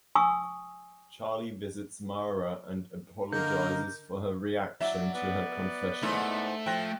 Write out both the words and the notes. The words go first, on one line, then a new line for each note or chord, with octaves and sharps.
Charlie visits Mara and apologizes for her reaction to her confession.
G#5 C#6 D#6 E6
D3 A#3 D#4 A#4 D#5 G6
F#3 D5 E5
B3 B4 D5
G#2 A3 D#4 E4
F3 G5 F#6 A#6